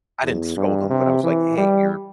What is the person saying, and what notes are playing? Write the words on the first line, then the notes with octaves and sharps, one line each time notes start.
I didn't scold him, but I was like, "Hey, you're
E2
G2
C3
E3
G3